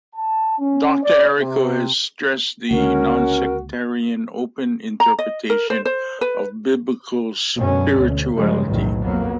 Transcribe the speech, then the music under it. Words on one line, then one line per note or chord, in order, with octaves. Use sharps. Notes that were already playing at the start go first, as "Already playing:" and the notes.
Doctor Errico has stressed the nonsectarian, open interpretation of Biblical spirituality.
A5
C#4
D5
C3
C#2 D3 A#3 C#4 F#4 A#4
A#5
D#5
A#4
C5
C5
B4
F#2 B2 D3 G#3 C#4
D2
G2 C#3 F3 G3 G#3
B1 E2 A2 D#3 F#3
F2 F#3 A#3 B3